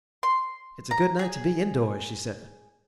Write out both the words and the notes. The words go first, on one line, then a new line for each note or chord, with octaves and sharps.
"It's a good night to be indoors," she said.
C6
A#5
G#4